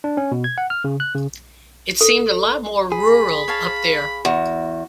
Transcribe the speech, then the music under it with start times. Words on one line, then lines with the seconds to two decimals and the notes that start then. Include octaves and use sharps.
It seemed a lot more rural up there.
0.04 D4
0.17 C#4
0.32 B2
0.44 G#6
0.58 F#5
0.70 F6
0.84 C#3
1.00 F#6
1.15 C#3
2.01 A4
2.92 G#4 B5
3.48 C#5 F5 A5
4.25 E2 F#4